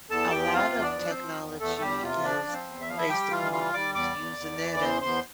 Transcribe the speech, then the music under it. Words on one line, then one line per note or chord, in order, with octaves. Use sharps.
a lot of technology is based upon who's using it and
E2 A4 A5
E2 G4 G5
C3 F4 F5
E2
D4 D5
F3
C4 C5
F3
E2
E2 A3 A4
E2 G3 G4
C3 F4
F3 D4 D5
F3
C4 C5
E2
E5
F3 F5
E4 E5
G3 G4 G5
E3 F4 F5
G3 F4 F5
G3 D5 D6
E2 D5 D6
E2
E2
E3
D6
E2 C5 C6
E2 C5 C6